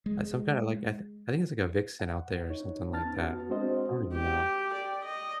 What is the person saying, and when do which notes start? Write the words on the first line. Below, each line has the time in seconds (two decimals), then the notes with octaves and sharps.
like, some kinda, like, I I think it's like a vixen out there or something like that. I don't even know.
0.06 G#3
2.00 F#5
2.50 D#4 C#5
2.92 F2 B3 C#4 A5 F6 A6
3.17 B3 F#4
3.50 G#3 C4 D4 F#4 C5 D#5
4.14 G4
4.74 D5
5.04 D#5